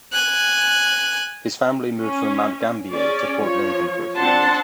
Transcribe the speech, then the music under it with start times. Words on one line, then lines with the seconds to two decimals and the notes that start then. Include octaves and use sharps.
His family moved from Mount Gambier to Port Lincoln for a few years.
0.12 G#5 F#6
2.00 C#4
2.92 C#4 G#4 D5
3.39 F3 C#5
4.17 C4 D4 F#5 A5 C6